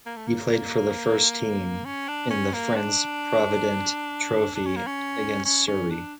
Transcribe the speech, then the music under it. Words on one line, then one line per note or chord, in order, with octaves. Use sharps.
He played for the first team in the Friends Provident Trophy against Surrey.
A#3
A3
A#3
C#4
D4
C#4
A#3
D4
D4
C#4
A#3
C#4
C#4
C#4
D4